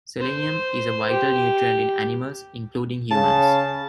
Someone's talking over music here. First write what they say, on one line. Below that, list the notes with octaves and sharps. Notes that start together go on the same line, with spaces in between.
Selenium is a vital nutrient in animals, including humans.
C5
G4
C#3 A5